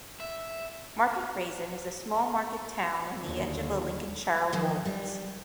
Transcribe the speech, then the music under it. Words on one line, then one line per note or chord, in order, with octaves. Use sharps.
Market Rasen is a small market town on the edge of the Lincolnshire Wolds.
E5
D#2 D3
G#2 D#3 F3
G3